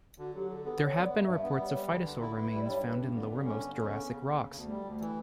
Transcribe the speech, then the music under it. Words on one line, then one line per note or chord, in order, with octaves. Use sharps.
There have been reports of phytosaur remains found in lowermost Jurassic rocks.
D3 F#4
F#3 G4
D3 A4
B3 A4
D3 C#5
B3 D5
G2 D5
G2 E5
B3
G3 C#5
G3
B4
D3
D3
E4
E4 B4
G3
D5
G2 C#5
G2 B4
G2 C#4
D3 B3
G2
C#4
D3
C#4
C#3
C#3
C#3
C#3
D2 B3
G3 A3
D2 A3
E3